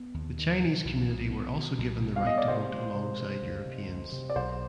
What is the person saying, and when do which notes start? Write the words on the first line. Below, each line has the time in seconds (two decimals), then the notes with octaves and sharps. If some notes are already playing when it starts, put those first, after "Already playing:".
The Chinese community were also given the right to vote alongside Europeans.
Already playing: B3
0.14 D#2
0.38 D#3
0.61 B2
0.85 B1
1.08 B1
1.31 B3
1.55 B2
1.79 B1
2.02 B2
2.16 F5
2.25 B3 D#5
2.38 D5
2.48 C3 C5
2.72 G#3
2.95 C3
3.19 C3
3.42 D2
3.66 C3
3.88 D2
4.12 C3
4.30 D5
4.36 B1 C5